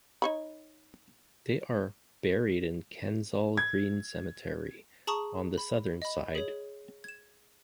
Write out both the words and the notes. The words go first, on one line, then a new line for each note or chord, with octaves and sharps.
They are buried in Kensal Green Cemetery, on the southern side.
D#4 C#5 B5
G#6
G#4 A5 A#5 C#6 D#6
B5
D#5 B5
G#4 C#5
G#6 E7